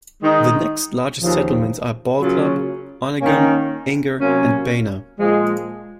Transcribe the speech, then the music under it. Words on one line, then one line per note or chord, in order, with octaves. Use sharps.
The next largest settlements are Ball Club, Onigum, Inger, and Bena.
D#3 G#3 D#4
D#2 C#3 F3
C#3 F#3 A#3 C#4 F4
D#3 A#3 C#4
C3 F#3 A#3 C#4
A#2 F3 G#3